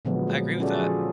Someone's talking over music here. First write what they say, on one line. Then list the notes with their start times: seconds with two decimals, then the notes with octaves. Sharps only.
I agree with that.
0.05 A#2 D3 F3 F#3 G#3 B3
0.28 G#3
0.60 C#4 F4 F#4 G#4 A4 D5
0.78 F3 G#4